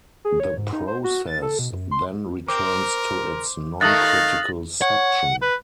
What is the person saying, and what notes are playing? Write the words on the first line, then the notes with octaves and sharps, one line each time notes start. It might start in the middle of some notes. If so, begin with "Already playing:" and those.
The process then returns to its non-critical section.
G#4
C#5
G#2
D#4
C5
F#4
A6
A4
B2
F#2
C6
C4 A#4 D6
D#3 A3 F5 D#6 F#6 A6 A#6 F#7
C#5 F#5
B4